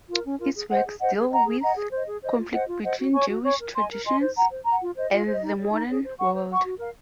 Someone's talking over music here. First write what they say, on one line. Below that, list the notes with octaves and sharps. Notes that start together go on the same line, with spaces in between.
His works deal with conflict between Jewish traditions and the modern world.
F4 A#4
C#4
F4 A#4
G#4
C5 D#5 F#5
G#4
C5 D#5 F#5
G#4
D#5 F#5 A#5
G#4
D#5 F#5 A#5
G#4
C5 D#5
G#4
C5 D#5
F4
C5 D#5 F#5
F4
C5 D#5 F#5
F#4
C#5 G#5 C#6
F#4
C#5 G#5 C#6
A#4
D#5 G#5 C6
A#4
D#5 G#5 C6
C5
F#5 A#5
C5
F#5 A#5
F4
C5 D#5
F4
C5 D#5
D#4
G#4 C#5
D#4
G#4 C#5
C5
F#5 C#6
C5
F#5 C#6
F#4
A#4 F5